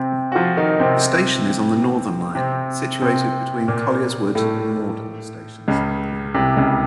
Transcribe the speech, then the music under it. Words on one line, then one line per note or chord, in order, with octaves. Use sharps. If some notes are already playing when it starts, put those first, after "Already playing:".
The station is on the Northern line, situated between Colliers Wood and Morden stations.
Already playing: C3 C4
F#4
F3 F4
D#3 D#4
C3 C4
C3 C4
C3 C4
A#2 A#3
A2 A3
C#2 C#3
C2 C3
C#2 C#3